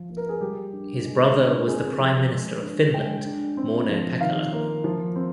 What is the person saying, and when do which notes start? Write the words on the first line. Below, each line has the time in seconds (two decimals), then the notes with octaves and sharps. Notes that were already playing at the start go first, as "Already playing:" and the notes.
His brother was the Prime Minister of Finland Mauno Pekkala.
Already playing: F3
0.09 A#3
0.17 A#4
0.29 G#4
0.41 G3 G4
0.73 D4
1.04 G#3
1.36 D4
1.58 A#4
1.67 C4 G#4
1.99 F3
2.31 G#3
2.62 D4
2.94 G#3 G5
3.26 D4
3.57 C4
3.89 F3
4.21 D#3 F5
4.52 A#3
4.84 F3
5.16 C4